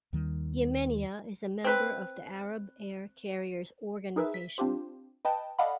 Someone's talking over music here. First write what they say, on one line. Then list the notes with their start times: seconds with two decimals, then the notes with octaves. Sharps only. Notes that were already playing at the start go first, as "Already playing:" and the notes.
Yemenia is a member of the Arab Air Carriers Organization.
0.13 D#2 D#3 G3
1.64 C4 B4
4.16 D#4 G#4 A#4 B4 E5
4.34 B6
4.58 C4 D4 F4 G4 C5
5.25 B4 D#5 G5 A5
5.59 A4 D5 D#5 F5 F#5 B5